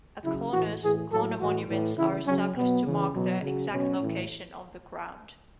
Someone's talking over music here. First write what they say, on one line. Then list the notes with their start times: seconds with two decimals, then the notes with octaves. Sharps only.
At corners, "corner monuments" are established to mark their exact location on the ground.
0.24 C#3 F#3 E4
0.52 A2 E3 F#4
0.82 A2 E3 G#4
1.10 A2 F#3 A4
1.39 A2 E3 F#4
1.68 A2 E3
1.97 C#3 E3 E4
2.26 C#3 F#3 C#4
2.55 B2 F#3 B3
2.84 C#3 E3
3.13 B2 F#3
3.42 C#3 F#3
3.70 B2 F#3 C#4
4.00 A2 E3